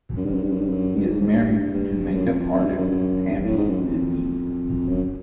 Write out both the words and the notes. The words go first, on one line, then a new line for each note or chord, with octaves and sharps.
He is married to makeup artist Tammie Dineen.
F#2
G2
F#2
G2
F#2
G2
F#2
G2
G#2
G#2
G2
G2
F#2
F2
F2
F#2
G2
F#2
F#2
G2
A2
G#2
F#2
F2
F2
F#2